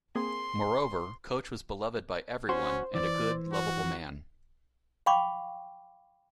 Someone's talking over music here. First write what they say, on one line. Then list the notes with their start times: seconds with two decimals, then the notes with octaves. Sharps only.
Moreover, Coach was beloved by everyone and a good "lovable man".
0.15 A#3 C4 G#4 C6
2.49 C#4 F#4 C5
2.95 E3 D5
3.53 F#4
5.06 F5 G5 B5 C#6 D6